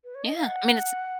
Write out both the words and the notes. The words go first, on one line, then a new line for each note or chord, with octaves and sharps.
Yeah, I mean, it's
B4
C#5
D#5
F5
F#5